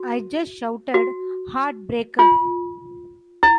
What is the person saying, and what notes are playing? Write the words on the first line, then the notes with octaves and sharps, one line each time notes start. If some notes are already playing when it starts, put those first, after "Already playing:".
I just shouted, 'Heartbreaker!
Already playing: F#4
F#4
F4
E4